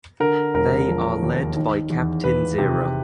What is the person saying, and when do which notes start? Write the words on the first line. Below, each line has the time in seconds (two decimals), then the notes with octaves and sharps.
They are led by Captain Zero.
0.20 D3 A#4
0.54 E1 A#4
0.88 F3
1.22 D#2
1.56 D#3
1.90 E2
2.24 E2 B4
2.58 C3